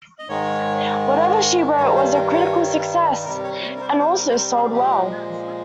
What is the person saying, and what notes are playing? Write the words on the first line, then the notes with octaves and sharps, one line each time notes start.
Whatever she wrote was a critical success and also sold well.
D#5
G#2 D#3 G#3 C#5
G2 D#3 G3 C#5
C5
A#4
C#5
C3 G3 A#4
C#5
C#5
A#4
C5
C5
A#4
C5
A#4
G#4
A#2 F3 G#3 G4